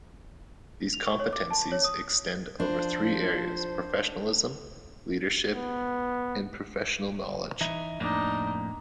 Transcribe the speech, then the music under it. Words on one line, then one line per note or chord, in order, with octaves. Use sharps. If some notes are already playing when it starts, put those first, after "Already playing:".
These competencies extend over three areas: professionalism, leadership and professional knowledge.
F7
C#6
C#5
D6
A5
C#5
D#6
F3 D4 C5
B3
E3 D#4 E5
F2 A2 A#3 D4 D#4